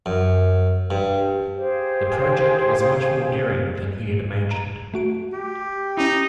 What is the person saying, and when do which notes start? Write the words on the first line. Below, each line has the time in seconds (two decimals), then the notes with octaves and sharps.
The project was much more daring than he had imagined.
0.06 F#2
0.91 G2
1.55 G4 G#4 C5 F5
4.51 A#5
4.94 A3 F#4 D7
5.33 G4
5.97 C#4 D#4 E4